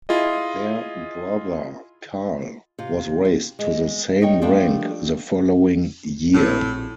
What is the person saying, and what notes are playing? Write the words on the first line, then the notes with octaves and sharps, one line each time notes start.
Their brother Karl was raised to the same rank the following year.
E4 F4 G#4 D#5
C3 F4
G#3
G3 D#4 C#5 G5
F3 G3 A3 A#3 D4 G4
A#1 A2 C4